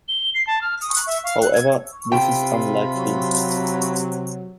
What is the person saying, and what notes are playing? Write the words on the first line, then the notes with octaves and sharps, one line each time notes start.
However, this is unlikely.
G7
C7
A5
F6
D#6
F#6
E5
F5
F#6
G#6
C3 F4 G5 B5
F#3